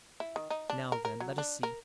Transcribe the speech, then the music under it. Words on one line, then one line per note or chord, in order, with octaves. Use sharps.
Now, then, let us see.
E4
D#3
D#4
D4
A#4
A#4
F#3
D4
A#4